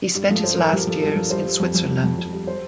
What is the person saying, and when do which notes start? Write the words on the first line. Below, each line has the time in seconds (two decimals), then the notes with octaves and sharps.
He spent his last years in Switzerland.
0.14 G2 G4
0.29 F3 A4
0.43 G2 C5
0.58 F3 A#4
0.73 F3 G4
0.87 F3 A4
1.02 G2 A4
1.16 F3 A#4
1.30 G3 C5
1.46 G3
1.60 F2
1.75 F2
1.89 G3
2.04 F2
2.18 F2
2.33 G3
2.47 C5